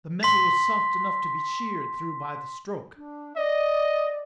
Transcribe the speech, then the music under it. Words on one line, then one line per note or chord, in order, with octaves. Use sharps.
The metal was soft enough to be sheered through by the stroke.
C6 B6
D4
D5 D#5